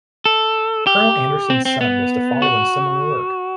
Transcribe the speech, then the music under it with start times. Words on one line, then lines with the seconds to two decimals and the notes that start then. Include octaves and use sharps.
Colonel Anderson's son was to follow in similar work.
0.26 A4
0.87 G4
1.50 C4
1.65 C4
1.81 B3
2.42 F#4